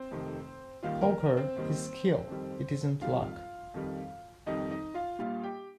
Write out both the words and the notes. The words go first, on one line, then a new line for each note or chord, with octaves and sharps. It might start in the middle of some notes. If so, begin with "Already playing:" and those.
Poker is skill, it isn't luck.
Already playing: C4 C5
F1 F2 C3 D#3
D#2 D#3 G3 F4 F5
A#4
A#4
C4 C5
D#2 D#3 G3
F2 D#3 G3
F2 D#3 G3 F4 F5
F2 D#3 G3
F2 D#3 G3 D#4 D#5
D#4 D#5
F4 F5
A#1 A#2 G3 F4 F5
G4 G5